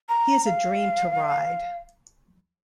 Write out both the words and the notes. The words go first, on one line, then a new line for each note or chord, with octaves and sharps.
He is a dream to ride.
A#5
F5